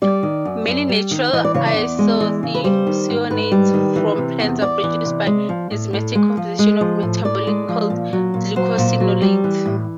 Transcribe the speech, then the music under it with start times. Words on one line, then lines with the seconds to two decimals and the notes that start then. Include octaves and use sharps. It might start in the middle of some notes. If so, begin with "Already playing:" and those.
Many natural isothiocyanates from plants are produced by enzymatic conversion of metabolites called glucosinolates.
0.02 G3 D5
0.23 D#3
0.45 F#2
0.67 F#2
0.89 G3
1.11 D#3
1.33 E3 D#5
1.45 D5
1.54 C#3 C#5
1.66 D5
1.76 E2
1.99 G#3
2.20 E3
2.43 C#3
2.55 B4
2.64 G3 C5
2.87 D#3
3.08 G#2
3.30 G#2 B4
3.52 G3
3.74 D#3
3.96 E3
4.18 C3
4.40 E2
4.61 E2 D5
4.83 E3
5.05 C3
5.27 G#3
5.49 F3
5.71 A2
5.93 A2
6.15 G#3
6.37 F3
6.59 G#3
6.81 F3
7.03 A2
7.25 A2 D5
7.47 G#3
7.69 F3
7.90 A#2
8.13 F#3
8.34 A#2
8.56 F#3 C5
8.78 A#2
9.00 F#3
9.22 G3
9.44 E3
9.66 A2